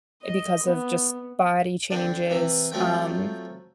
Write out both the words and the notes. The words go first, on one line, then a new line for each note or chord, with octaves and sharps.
because of just body changes, um,
D#5
B3
D3 C4 D4
C3 E3
F3 F#3 A3 C4 G5